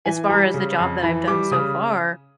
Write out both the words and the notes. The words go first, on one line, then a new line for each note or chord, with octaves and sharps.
as far as the job that I've done so far,
E3 G#5
G3 A#5
C#3
F2
E3 B5
G3 D6
C#3 D#6